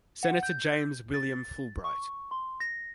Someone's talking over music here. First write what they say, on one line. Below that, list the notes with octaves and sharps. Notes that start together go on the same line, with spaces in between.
Senator James William Fulbright.
F#5
G6
A6
C#6
C6
A#6